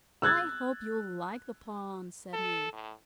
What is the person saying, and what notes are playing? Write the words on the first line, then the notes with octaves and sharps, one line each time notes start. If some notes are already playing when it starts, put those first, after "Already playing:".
"I hope you'll like the pond," said he.
E6 F#6 G#6 A6
A4
A2